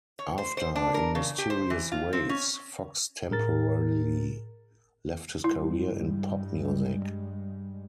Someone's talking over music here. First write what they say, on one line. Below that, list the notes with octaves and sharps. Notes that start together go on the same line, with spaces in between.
After "In Mysterious Ways", Foxx temporarily left his career in pop music.
C#5
C5
C5
D4
A#4
C#3
G4
C5
E3
F4
C4
C#4
A2 G#4 A#4 A6
G2 G3 G#3 E4